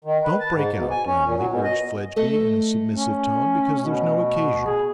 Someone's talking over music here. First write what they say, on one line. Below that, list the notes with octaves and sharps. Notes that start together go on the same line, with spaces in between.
'Don't break out, Lammle,' urged Fledgeby, in a submissive tone, 'because there's no occasion.
D#3
B4
A5
G#2
B2
G#5
C#4
A#2
F#3
B2
D#5
A3 A4 D#5
C#4
B2
G#4